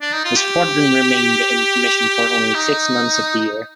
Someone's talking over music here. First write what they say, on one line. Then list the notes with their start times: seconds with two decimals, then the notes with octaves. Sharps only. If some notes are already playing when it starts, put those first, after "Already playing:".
The Squadron remained in commission for only six months of the year.
0.01 D4
0.13 D#4
0.24 F4
0.37 G4
2.54 D#4